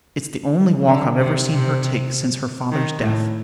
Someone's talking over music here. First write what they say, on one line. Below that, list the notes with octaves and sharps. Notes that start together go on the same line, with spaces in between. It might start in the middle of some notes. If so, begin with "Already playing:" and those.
It's the only walk I've ever seen her take since her father's death.
D3
C3
C3
D#3
A2